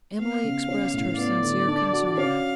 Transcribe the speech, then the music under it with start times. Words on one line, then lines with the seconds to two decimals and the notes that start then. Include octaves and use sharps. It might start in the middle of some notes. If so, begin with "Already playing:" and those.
Emily expressed her sincere concern.
0.19 B3 F5
0.44 C#3
0.68 C#4
0.93 A2
1.18 B3 D5
1.43 D3
1.68 D4
1.93 F#4
2.17 C#4 F5